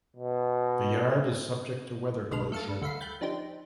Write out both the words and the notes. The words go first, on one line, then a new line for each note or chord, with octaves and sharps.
The yard is subject to weather closure.
B2
B1 G#2 D3 G#3 B4 F6
A3 A4 F5 C#6 A6
G2
D2 A3 E5 F5 B5 C7
G5 B5 F#6 G6 A6
F3 D4 D#4 G4 C5